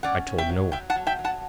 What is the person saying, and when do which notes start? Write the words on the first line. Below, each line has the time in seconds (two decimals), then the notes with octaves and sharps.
"I told no one."
0.03 C#4 D5 F#5
0.27 C#4
0.38 E5 G5
0.49 F#3
0.72 F#3 E5 G5
0.90 F#5 A5
0.96 F#3
1.07 E5 G5
1.19 F#3
1.24 F#5 A5